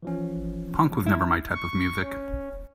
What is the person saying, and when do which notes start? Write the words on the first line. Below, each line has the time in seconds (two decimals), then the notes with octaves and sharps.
Punk was never my type of music.
0.03 E3 F3 C#4
1.06 E4
1.54 C#6
2.02 C#4